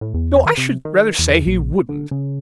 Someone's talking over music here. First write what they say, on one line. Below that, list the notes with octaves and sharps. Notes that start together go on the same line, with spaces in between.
'No, I should rather say he wouldn't.
A2
E2
D#3
C3
D#3
E2
A#1
D3
C#3